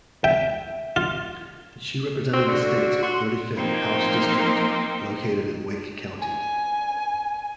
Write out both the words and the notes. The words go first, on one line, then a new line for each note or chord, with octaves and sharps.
She represented the state's thirty-fifth House district, located in Wake County.
E5 G5
F4
C4 F#4
D3
F#4 C6
F3 A#3 C4 D#4
G#5